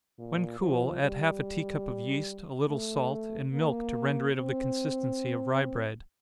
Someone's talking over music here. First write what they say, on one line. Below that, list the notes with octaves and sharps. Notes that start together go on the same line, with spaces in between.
When cool, add half a tea-cup of yeast, a little salt, and milk to render it of the consistency of rye bread.
A#2
F3
G3
A3
A#3
C4